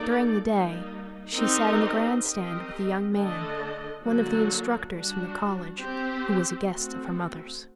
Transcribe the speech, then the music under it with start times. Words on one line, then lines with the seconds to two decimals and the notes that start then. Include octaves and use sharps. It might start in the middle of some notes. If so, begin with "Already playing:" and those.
During the day she sat in the grand-stand with a young man, one of the instructors from the college, who was a guest of her mother's.
Already playing: A#3 D#4 A4 D5
0.47 G3 A#3 D#4
1.36 C4 D#4 G4 A#4 D#5
2.25 C4 G4 A#4 D#5
3.14 D3 A3 D4 A4 D#5
4.02 D3 F#3 A#3 F#4
4.91 G3 D4 F#4
5.80 C4 G4 C5
6.69 A3 C4 F#4